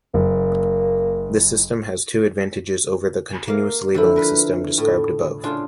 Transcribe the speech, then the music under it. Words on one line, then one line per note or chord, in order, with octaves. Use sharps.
This system has two advantages over the continuous labeling system described above.
F#1 A#3
A#3 F5
D3 F3 E4
A#4 B4
A2
C#3 D4 F4